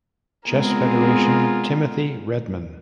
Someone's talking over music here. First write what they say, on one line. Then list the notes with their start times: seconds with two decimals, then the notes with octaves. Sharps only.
Chess Federation, Timothy Redman.
0.48 G#3 B3 C4 F4 G#4 A#4